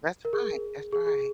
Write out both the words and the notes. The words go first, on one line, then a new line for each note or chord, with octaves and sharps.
That's right, that's right.
A#4
G#4
G#4
G#4